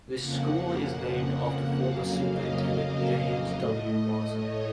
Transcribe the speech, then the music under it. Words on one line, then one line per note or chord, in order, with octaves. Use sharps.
The school is named after former Superintendent James W. Martin.
F2 C#3 F3 A#3 F#5
F2 C#3 F#3 A#3 F5
D#5
A2 A3
C#5